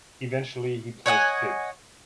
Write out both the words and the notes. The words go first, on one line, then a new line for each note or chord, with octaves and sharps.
Eventually, he placed fifth.
C#5 D#5 F#5 G#5